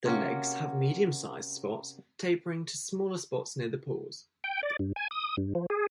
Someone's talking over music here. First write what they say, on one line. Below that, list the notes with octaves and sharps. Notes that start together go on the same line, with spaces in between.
The legs have medium-sized spots tapering to smaller spots near the paws.
C3 A#3 C#4 F#4
G5
D5
G2
G#5
D#6
G2
F3
G#4